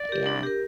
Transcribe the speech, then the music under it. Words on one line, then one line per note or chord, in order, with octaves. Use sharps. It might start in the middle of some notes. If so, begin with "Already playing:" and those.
But, yeah.
Already playing: D5
G4 A#4
D4
G4 A#4